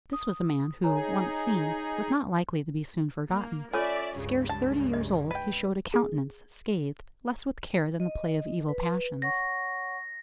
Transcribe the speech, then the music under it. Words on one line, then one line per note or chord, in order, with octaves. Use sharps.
This was a man, who, once seen, was not likely to be soon forgotten. Scarce thirty years old, he showed a countenance, scathed, less with care than the play of evil passions.
D#6
D#4 G#4 C#5 G#5 A#5
A#3
C#4 F4 A4 C#5 D5 E5
C#2 G2 C#3
A5
D#5
B4 D#5 G5
G#4
D#5
B4
C#5 F#5 C#6 A#6